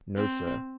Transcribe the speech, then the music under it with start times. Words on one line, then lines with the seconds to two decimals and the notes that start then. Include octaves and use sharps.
No, sir.
0.16 C4